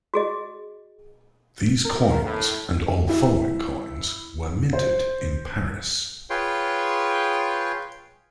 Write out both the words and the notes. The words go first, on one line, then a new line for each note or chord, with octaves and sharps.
These coins, and all following coins, were minted in Paris.
F#4 G#4 D#5
A#4
A2
E4
C5
F4 G#4 B4 C#5 G5 C6